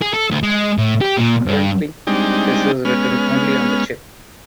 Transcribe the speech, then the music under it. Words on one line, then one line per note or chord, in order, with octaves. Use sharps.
Currently, this is written only on the chip.
G#4
A4
D2
G#3
A2
G4
A#2
G2
G3 G#3 C4 D4 D#4 G5
G#3 B3 C#4 F6